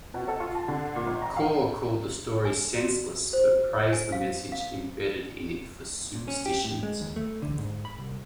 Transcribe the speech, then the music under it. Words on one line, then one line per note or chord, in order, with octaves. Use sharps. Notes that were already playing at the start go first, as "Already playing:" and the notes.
Kaur called the story "senseless" but praised the message embedded in it for superstitions.
B2
A4
F4
A5
D3
A#2
G#1
A#5
F5
G#5
F#4
C5
G#5
F5
F5
A#2
C#4
G4
A2
G#3
D#2
A3
D3
G#2
B5
C2